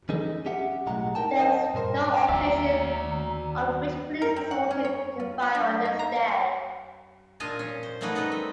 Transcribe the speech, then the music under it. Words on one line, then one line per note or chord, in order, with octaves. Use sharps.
There was no occasion on which police resorted to firing on this day.
E3 C#4 D#4 G#4 A4
C#4 G4 E5 F#5
B1 A2 G#3 F#5 A#5
D#4 A#4 G5 A5
A#4 C5 D#5 F#5 G5 A5
G2 A#2 A#4 C5
D#2 F#4 D5 E5 A#5
A#4
C4
F#5
C#4
C#5
F4
F4
D4
D#4
A#5
A#2 D4 F4 D#5 F5 G#5
C#4
C5
A3 A#3 C#4 D#4 F#4 B4
G3 D#4 A4 B4 D#5
C4